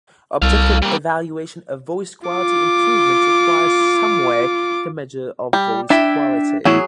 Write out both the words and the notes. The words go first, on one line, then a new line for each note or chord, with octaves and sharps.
Objective evaluation of voice quality improvement requires some way to measure of voice quality.
C2 A4 F5
G3 A#3
F4 D6
G3
D4 E4 E5 G5
E2 A2 F#3 E4 G#4